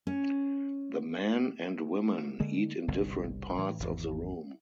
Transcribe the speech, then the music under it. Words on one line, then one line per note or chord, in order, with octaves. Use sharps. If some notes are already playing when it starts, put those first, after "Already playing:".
The men and women eat in different parts of the room.
C#4
D3 G#3 A#3
G1 C2 B2 D3
A2 E3
G#1 E2